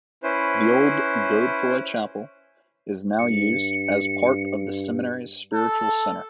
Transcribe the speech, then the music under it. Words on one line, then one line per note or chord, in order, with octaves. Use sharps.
The old Godefroy Chapel is now used as part of the seminary's Spiritual Center.
C#4 E4 B4 C5
G2 C#7
A4